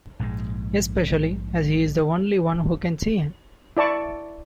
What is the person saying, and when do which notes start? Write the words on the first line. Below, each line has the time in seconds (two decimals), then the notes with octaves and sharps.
Especially as he's the only one who can see him.
0.19 A#1 G#2 C3 G#3
3.77 E4 D5 A5 C#6